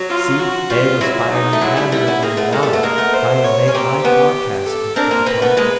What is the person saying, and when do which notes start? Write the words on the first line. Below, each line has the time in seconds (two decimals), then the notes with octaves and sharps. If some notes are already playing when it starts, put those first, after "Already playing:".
You see, they was firing cannon over the water, trying to make my carcass come to the top.
Already playing: F#3
0.09 F4
0.39 F#4
0.70 G3 F4
1.01 F#3 G#3 E4
1.32 D#4
1.53 A3
1.61 F#3 G#3 E4
1.77 G3 A3
1.92 G3 A3 E4
2.07 B3 C#4
2.22 A#3 C4 G#4
2.37 A3 B3
2.52 G#3 A#3 A4
2.63 G3 A3
2.73 A3 B3
2.83 G#3 A#3 A#4
2.98 A3 B3
3.14 C5
3.44 C#5
3.68 C#4
3.74 A#3 C4 G4
4.05 B3 C#4
4.66 A4
4.96 C4 D4 A#4
5.11 A#3 C4
5.26 A#3 C4 B4
5.42 A3 B3
5.57 G#3 A#3